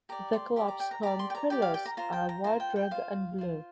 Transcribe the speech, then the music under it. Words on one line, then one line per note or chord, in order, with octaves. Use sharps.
The club's home colours are white, red and blue.
G4 D5 A#5
C6
G4 D5 C6
A#5
G5
A#5
G4 D5 A#5
C6
G5
A#5
G4 D5 G5
F5
G5
A#5
F4 C5 A#5
G5
A#5
F4 C5 A#5
G5
G5
F4 C5 F5
F4 C5